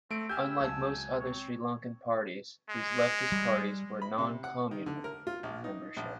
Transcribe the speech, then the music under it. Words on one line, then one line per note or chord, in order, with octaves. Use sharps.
Unlike most other Sri Lankan parties, these leftist parties were noncommunal in membership.
A3 C4 D7
E4 G4 G#5 E6 F6 G6
C#2 F#3 G#5 A5
C4 C#5
G#3
G3
B5
C3
F#5
D#3
D3
A#4
F4
A#1
D#4
A#1